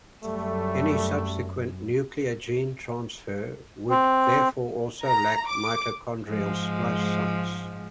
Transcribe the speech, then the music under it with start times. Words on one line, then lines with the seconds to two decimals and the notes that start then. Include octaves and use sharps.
Any subsequent nuclear gene transfer would therefore also lack mitochondrial splice sites.
0.23 F#2 G3 A3
3.90 C4
5.04 A#5
5.48 D6
6.29 G#2 F3 G#3